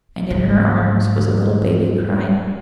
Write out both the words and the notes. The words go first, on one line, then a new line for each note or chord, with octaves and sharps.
And in her arms was a little baby crying.
G#2 C#3